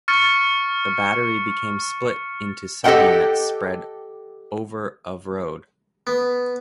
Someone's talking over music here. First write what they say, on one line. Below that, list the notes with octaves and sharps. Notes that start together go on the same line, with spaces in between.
The battery became split into subunits spread over of road.
C#6 F6 A6 C#7
G4 A4 D#5 F#5 G5
B3